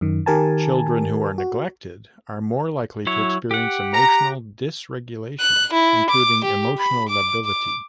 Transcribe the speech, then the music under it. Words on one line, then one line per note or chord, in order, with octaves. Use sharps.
Children who are neglected are more likely to experience emotional dysregulation, including emotional lability.
F#2 D#3
D#3 G4 A#4 G#5 A5
F#4
F#3 E4 C#5
G4 F#5
A#5
F#6
E4
D6
G4
B5
D6
D6